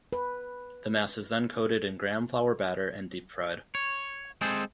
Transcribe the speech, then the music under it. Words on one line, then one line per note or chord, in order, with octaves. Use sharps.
The mass is then coated in gram flour batter and deep fried.
B4
C#5
G#3 C4 G#4 A4 C5